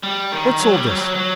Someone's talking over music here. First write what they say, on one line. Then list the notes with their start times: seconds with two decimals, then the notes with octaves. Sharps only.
'What's all this?
0.03 G3
0.32 D#3
0.59 F#3
0.74 G3
0.88 F#3
0.96 G3
1.01 F#3
1.15 F#3